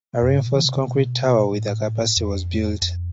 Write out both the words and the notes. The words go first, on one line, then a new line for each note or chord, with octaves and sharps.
A reinforced concrete tower with a capacity was built.
F2
G2
A2
B2
E3
C3
C3
B2
A2
F2
F2